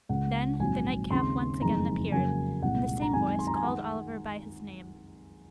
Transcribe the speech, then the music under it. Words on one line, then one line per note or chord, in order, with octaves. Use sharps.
Then, the nightcap once again appeared: and the same voice called Oliver by his name.
C#2 C#3 G#3 F#5
A#1 G#2 F#3 C4 G#5
D#2 C#3 G#3 C4 C6
F#1 F2 D#3 G#3 C4 A#5
F2 C#3 F#3 A#3 G#5
C2 A#2 G#3 C4 F#5
A#5
F#2 D#3 G#3 C4 G#5
C6
A#5
G#5
D#3 G#3 F#5